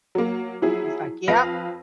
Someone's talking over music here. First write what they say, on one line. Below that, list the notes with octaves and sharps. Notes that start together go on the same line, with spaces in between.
he's like, "Yep.
F#3 A#3
F3 F#3 E4 G#4
F2 B4 F5 A#6